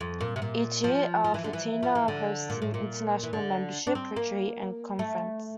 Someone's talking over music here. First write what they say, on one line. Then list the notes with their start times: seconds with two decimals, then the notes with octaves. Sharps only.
Each year, Al-Fatiha hosted an international membership retreat and conference.
0.01 F2
0.21 A#2
0.36 C3
0.42 A#2
0.84 F3
1.24 F3
1.34 E3
1.44 D3
1.53 E3
1.83 F3
1.95 E3
2.08 D3
2.50 A#2
2.62 A2
2.74 A#2
3.23 E3
3.33 D3
3.87 D4
3.95 C4
4.16 A#3
4.99 A3